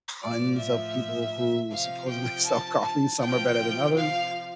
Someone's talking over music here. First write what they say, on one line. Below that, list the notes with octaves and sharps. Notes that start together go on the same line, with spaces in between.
tons of people who supposedly sell coffees, and some are better than others,
A2 F3 D5
E5
C3 F3 F5
G5
A5
A5
C3 F3 G5
F5